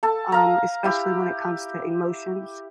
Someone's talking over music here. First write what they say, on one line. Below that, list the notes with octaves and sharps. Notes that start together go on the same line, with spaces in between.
um, especially when it comes to emotions.
A4 A5
F5 A#5
E4 G4